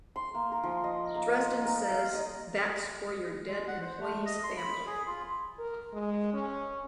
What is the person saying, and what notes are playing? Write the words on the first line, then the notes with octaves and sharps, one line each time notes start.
Dresden says That's for your dead employee's family.
C6
A#3
A#4
F3
D#5
A#3
D#6
A#4
F5
D#5
G#3
F#5
C5
A3
D#5
C6
B5
G#4
F4
A#4
G#3
C#4